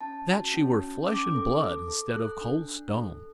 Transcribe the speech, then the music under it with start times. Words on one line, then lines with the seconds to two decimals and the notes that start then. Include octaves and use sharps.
That she were flesh and blood, instead of cold stone!
0.01 C#4 A5
0.28 F#4
0.54 C#4
0.81 C#4
1.07 C#4 D6
1.35 A4
1.60 A4
1.88 A4
2.14 A4 F#6
2.41 D4
2.68 D4
2.94 A4